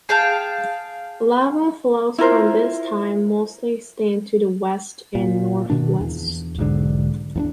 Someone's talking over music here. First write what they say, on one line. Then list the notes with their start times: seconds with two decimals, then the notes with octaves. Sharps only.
Lava flows from this time mostly extend to the west and northwest.
0.09 G#4 F5 G5 A5
2.18 E4 F4 A#4 C5
5.15 A#2
5.70 B2 D#3 D4
6.01 E2
6.58 B1 G#2 D3
7.36 E2 B3 D4